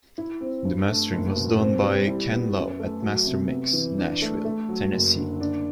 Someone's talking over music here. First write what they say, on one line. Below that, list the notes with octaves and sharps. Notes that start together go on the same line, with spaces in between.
The mastering was done by Ken Love at MasterMix, Nashville, Tennessee.
E4
C4
G2
A3
F#1
B2
C4
G3
E4
B3
F#2
A3
F#3
C3
B3
E3
D4
A3
A3
F#3
F#1
D3
D4